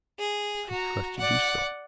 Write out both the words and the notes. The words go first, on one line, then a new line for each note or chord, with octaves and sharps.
I trusted you so.
G#4
F#4 A#5
D5 F#5